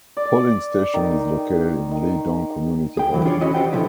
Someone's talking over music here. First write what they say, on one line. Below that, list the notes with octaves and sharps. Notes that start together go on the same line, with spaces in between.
Polling station is located in Lidong Community Hall.
D5
D#3
D#3
G#4 G5
E2 E3 F#3
D4 F4 G#4 C#5 D5
E3 C#4 E4 F#4 C#5 D#5
G4 C5 D5 D#5 F#5 G5
B2 D3 F3 B3 E4